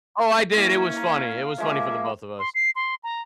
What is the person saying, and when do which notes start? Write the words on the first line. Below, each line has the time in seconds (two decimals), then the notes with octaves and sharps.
Oh, I did it was funny, it was funny for the both of us.
0.55 E3 A#3 C#4 E4
0.96 F5 A#5
1.58 F3 G#3 A#3 C#4 E5
2.39 C6
2.55 C7
2.76 C6
3.04 A#5